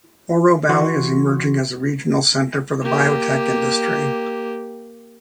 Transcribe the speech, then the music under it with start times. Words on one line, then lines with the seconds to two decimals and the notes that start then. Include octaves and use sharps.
Oro Valley is emerging as a regional center for the biotech industry.
0.69 E3 F#4 C6 C#6
2.81 A#3 G4